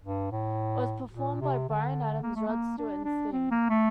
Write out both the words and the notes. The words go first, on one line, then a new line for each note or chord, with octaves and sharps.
It was performed by Bryan Adams, Rod Stewart and Sting.
G2
A2
A#2
C3
D3
A#3
A3
A#3
D4
D4
C4
A#3
A3